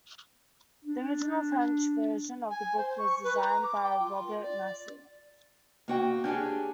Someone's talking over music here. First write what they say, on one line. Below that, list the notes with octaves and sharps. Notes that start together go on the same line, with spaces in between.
The original French version of the book was designed by Robert Massin.
D4
G#5
C5
C#6
B4
A#5
D6
G5
F4
D5
A#3 F#4 G5
C#4 D4 G4 G#4